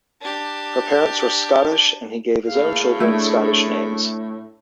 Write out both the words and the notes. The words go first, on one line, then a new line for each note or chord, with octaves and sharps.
His parents were Scottish, and he gave his own children Scottish names.
D4 G4
A2 A#3 G#4 F5
A3 D4 E4